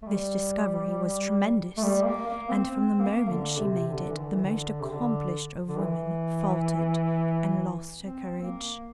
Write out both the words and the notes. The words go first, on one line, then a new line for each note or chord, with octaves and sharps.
This discovery was tremendous, and from the moment she made it the most accomplished of women faltered and lost her courage.
A3
G3
A3
G3
A#3
A#3
C4
C4
A#3
D3
C3
D3
E3
D3
E3
D3
C3
D3
D3
E3
C4
A#3